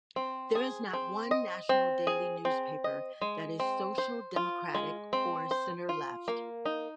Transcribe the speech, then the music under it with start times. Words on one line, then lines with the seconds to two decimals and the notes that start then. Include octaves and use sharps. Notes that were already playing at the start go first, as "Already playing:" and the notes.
There is not one national daily newspaper that is Social democratic or centre-left.
0.16 C4
0.55 G#4
0.93 C4
1.31 D#5
1.69 C4
2.07 G#4
2.45 C4
2.84 D#5
3.22 G#3
3.60 C4
3.98 C5
4.36 F4
4.75 G#3
5.13 C4
5.51 C5
5.89 F4
6.28 A#3
6.65 D#4